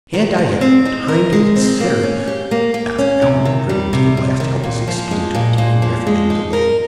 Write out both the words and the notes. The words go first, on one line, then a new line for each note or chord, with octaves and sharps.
"Can't I have time to consider?" asked Allan, driven to the last helpless expedient of taking refuge in delay.
D#3
G#3
C4
D#4
A#4
G#3
C4
A#3
C#4
G4
A#3
A#3
C#4
C3
D#3
G3
C3
C3
D#3
A#2
F3
G#3
A#2
A#2
F3
G#3
D#4
A#4